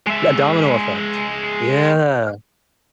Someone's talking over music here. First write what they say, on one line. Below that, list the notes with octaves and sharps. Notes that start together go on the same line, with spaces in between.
a domino effect. Yeah.
G#3 E5